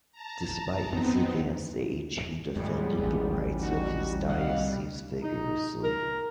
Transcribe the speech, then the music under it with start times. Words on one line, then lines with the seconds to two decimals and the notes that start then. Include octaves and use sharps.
Despite his advanced age, he defended the rights of his diocese vigorously.
0.12 A5 A#5
0.86 B3 C4 D#4
2.56 F2 A2 G3 G#3 B3
2.99 A1 D#2
3.60 D#4 F#4
4.29 C2 D#5 F5 F#5
5.21 D#4
5.82 A#4